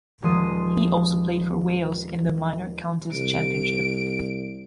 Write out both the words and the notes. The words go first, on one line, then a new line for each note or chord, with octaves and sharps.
He also played for Wales in the Minor Counties Championship.
D#1 F3 G#3 C6 D#6
C2 D7